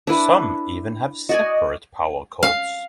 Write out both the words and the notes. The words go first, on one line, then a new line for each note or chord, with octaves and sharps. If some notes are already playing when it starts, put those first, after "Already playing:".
Some even have separate power cords.
D4 E4 B4
F#4 D5 D#5 G#5
F5